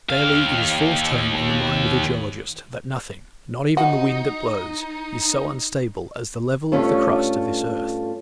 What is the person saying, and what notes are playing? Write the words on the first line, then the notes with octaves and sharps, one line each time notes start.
Daily it is forced home on the mind of the geologist, that nothing, not even the wind that blows, is so unstable as the level of the crust of this earth.
D#2 F5
D#4 F#4
G2 A3 C#4 F4 C#5